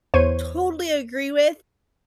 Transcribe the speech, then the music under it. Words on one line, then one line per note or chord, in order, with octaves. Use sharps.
totally agree with,
E2 C5 C#5 D#7